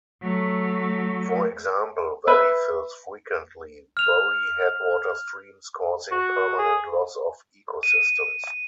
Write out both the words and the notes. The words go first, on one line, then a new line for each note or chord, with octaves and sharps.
For example, valley fills frequently bury headwater streams causing permanent loss of ecosystems.
F#3 A3
B4 E5
F6 F7
F#4
G#4
D#7